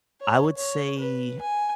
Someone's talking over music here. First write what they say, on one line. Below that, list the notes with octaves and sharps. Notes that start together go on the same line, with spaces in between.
I would say
C#5
C#5
B4
G#5